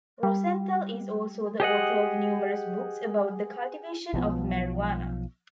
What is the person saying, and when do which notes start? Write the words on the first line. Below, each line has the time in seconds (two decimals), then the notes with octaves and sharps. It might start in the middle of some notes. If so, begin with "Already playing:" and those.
Rosenthal is also the author of numerous books about the cultivation of marijuana.
0.23 G3
1.60 G4 G#4 D#5 F#5
4.13 B1 F3 B3